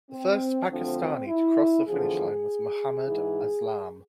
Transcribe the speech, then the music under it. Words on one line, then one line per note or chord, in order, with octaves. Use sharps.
The first Pakistani to cross the finish line was Mohammad Aslam.
C4
D2 D3 F3 C4
E4
E2 D3 F3 G#4
G#2 E3